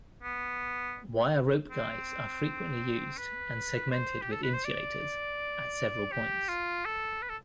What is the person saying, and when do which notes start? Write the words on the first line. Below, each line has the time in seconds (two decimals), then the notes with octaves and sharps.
Wire rope guys are frequently used and segmented with insulators at several points.
0.23 B3
1.70 C4
3.17 B4
3.91 C5
4.22 G4
4.32 A4
4.43 B4
4.54 C5
4.65 D5
6.12 G4
6.49 F4
6.85 A4
7.22 B4
7.29 A4